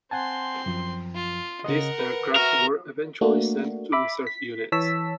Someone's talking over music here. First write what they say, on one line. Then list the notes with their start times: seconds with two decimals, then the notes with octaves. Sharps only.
These aircraft were eventually sent to reserve units.
0.11 C4 F#5 G#5 A5 C6
0.66 F#2 F3
1.15 F4
1.64 C#3 A#4 D#5 F#5
1.99 B4
2.36 F#4 A#4 E5
3.21 A3 A#3 D4 F#4
3.92 E5 B5 D6
4.27 B6
4.72 E3 C#5 A5 E6 B6